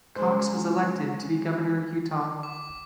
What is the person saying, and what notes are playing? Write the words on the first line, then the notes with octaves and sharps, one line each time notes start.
Cox was elected to be Governor of Utah.
C#3 G#3 C5
D6